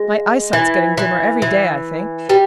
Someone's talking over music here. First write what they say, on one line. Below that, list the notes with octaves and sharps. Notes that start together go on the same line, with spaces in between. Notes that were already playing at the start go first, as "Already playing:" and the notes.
My eyesight's getting dimmer every day, I think.
Already playing: G#3
E3
E3
E3
G3